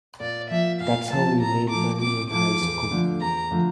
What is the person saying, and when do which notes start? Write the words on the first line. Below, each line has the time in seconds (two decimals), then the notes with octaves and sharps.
That's how we made money in high school.
0.20 A#2 D5
0.50 F3 A#3 E5
0.80 A#2 F5
1.10 F3 A#3 A5
1.40 C3 A#5
1.70 F3 A3 E4 A4 D6
2.01 C3 D6
2.30 F3 A3 E4 A4 D6
2.60 E2
2.91 D3 F3 A3 D4
3.21 E2 A#5
3.51 D3 F3 A3 D4